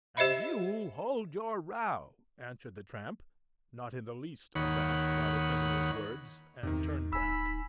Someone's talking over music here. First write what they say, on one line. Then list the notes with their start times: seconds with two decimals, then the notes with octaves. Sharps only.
"And you hold your row," answered the tramp, not in the least abashed by the sentinel's words, and turned back.
0.17 G4 C5 D#5 E5 B5
4.55 D#2 D#3 C#5 F#5 B5
6.63 E2 C3 D#3 D#4
7.13 D1 G#5 B5 E6